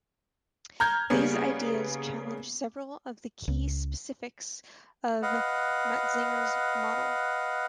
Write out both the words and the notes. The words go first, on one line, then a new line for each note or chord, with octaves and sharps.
These ideas challenge several of the key specifics of Matzinger's model.
A#5 F6 G6 G#6
C#3 G3 A#3 B3 C#4
C#2
B4 D#5 F5 F#5